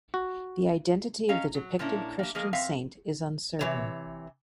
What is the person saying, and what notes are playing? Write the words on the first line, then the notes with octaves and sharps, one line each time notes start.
The identity of the depicted Christian Saint is uncertain.
F#4
C#4 D#5 F5 A#5
F#3
A#2 A#3 C#4 D4 E4
A#3 G4
F3 A#3 G#4 D#5
F#2 C4 E5 F5
C3 E3 C#5